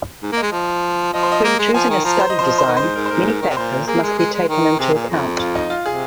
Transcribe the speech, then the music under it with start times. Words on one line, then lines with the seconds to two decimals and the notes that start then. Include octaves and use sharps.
When choosing a study design, many factors must be taken into account.
0.22 G#2
0.32 A#3
0.37 D#5
0.43 G#3
0.52 F3
1.13 F3 D#5
1.23 C5
1.32 D#5
1.44 A#3
1.59 G#3
1.74 F3 G#5
1.89 D#3
2.05 F3 A#5
2.20 C5
2.30 D#5
2.35 F3 C5
2.48 D#5
2.58 C5
2.66 D#3 D#5
2.77 G#2 C5
2.96 G#2 A#4
3.05 C5
3.11 G#2 A#4
3.27 A#4
3.42 D#3
3.50 C3
3.57 A#2 C5
3.72 A#4
3.87 A#3 G#4
3.97 G#3 A#4
4.07 G#4
4.18 G#3
4.33 G#3
4.49 D#3
4.79 C3 G#4
4.94 A#2
5.10 F2
5.39 F4
5.55 D#4
5.70 F4
5.85 C3 G#4